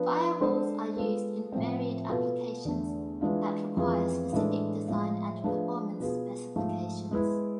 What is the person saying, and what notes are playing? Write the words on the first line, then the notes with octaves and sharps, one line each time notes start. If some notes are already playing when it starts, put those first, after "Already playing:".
Firewalls are used in varied applications that require specific design and performance specifications.
Already playing: F3 B3 D4
G#3 D4 A4 C5
G#3 B3 F4 A4
A2 F3 A3 C4
B2 B3 F4 A4
E2 D3 A3
E3 G#3 D4 F4
F2 E3 B3 F4 G#4
A2 E3 G#3 D4 A4
A2 F3 G#3
F3 A3 D4 G#4 B4
B2 B3 F4 G#4
G#2 F3 A3
G#3 B3 E4